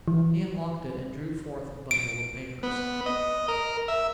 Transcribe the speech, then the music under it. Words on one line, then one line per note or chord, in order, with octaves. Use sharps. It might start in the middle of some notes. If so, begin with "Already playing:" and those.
He unlocked it and drew forth a bundle of papers.
E3
D7
B3
D#5
A#4
E5